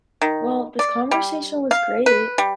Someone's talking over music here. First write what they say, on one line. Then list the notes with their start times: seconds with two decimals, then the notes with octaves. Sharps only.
Well, this conversation was great.
0.22 D#3
0.79 D5
1.11 G3
1.71 F5
2.06 B4
2.38 G3